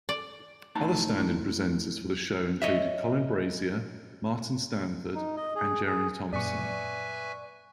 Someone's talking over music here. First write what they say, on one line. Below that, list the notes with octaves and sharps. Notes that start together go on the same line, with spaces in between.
Other stand-in presenters for the show included Colin Brazier, Martin Stanford and Jeremy Thompson.
D5
A2 D#4 A5
C#5 D#5 E5
D#4
D#5
G#4
G#4
F#2 A#2 B4 D5 E5 G#5 C#6